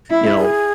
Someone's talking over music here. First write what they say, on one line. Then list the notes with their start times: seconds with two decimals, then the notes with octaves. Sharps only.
you know,
0.10 E4
0.38 G#4